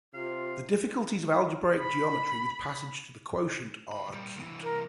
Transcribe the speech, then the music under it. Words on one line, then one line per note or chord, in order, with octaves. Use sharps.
The difficulties of algebraic geometry with passage to the quotient are acute.
C3 F4 F5
B5
C#2 B5
A#2 G3
C2 E3
A#4